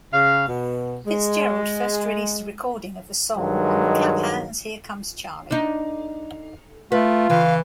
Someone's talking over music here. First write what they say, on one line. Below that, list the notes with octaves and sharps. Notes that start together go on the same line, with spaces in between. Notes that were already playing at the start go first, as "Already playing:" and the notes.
Fitzgerald first released a recording of the song on Clap Hands, Here Comes Charlie!
C#3 F5
B2
G#3
G2 D#3 F#3 G#3
D4 D#4
A3 F4 B4
C#3 E3 F5